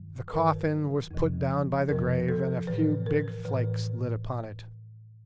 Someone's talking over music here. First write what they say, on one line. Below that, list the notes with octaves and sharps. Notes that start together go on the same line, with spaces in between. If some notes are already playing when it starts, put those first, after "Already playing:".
The coffin was put down by the grave, and a few big flakes lit upon it.
Already playing: G2 D#3 F#3
B4
G2 D#3 F#3 A#4
F2 C3 F3
F2 C3 F3 A#4
A4
A2 E3 B4
A#4
A2 E3 B4